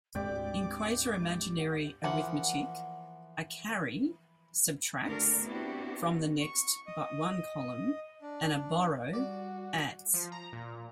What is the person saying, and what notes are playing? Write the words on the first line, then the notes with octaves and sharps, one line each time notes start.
In quater-imaginary arithmetic, a "carry" "subtracts" from the next-but-one column, and a "borrow" "adds".
D2 G#2 G#3 C4 G4 D5 G5 D6
E3 F3 A#3 F#5
D2 D4 F#4 A#4
B3 C4 D4 E4 F#4 G4
C#6
D#5
D4
G3 F#4 D5
F3
A#5
A#2